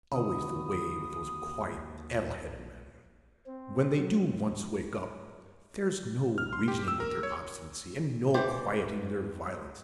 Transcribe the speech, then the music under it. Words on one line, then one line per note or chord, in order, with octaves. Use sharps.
It's always the way with those quiet addle-headed men: when they do once wake up, there's no reasoning with their obstinacy, and no quieting their violence.
D#2 D3 C4 E4 F#4 B5 D#6
C4
F#3
F6
C6
G4
E6
A#4
C#5
E3 G4 C5 D5